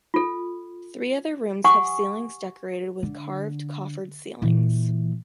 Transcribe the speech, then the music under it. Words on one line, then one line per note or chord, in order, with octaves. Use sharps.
Three other rooms have ceilings decorated with carved coffered ceilings.
F4 A4
G4 F#5 G#5 C#6 D#6
D3
A#2 E3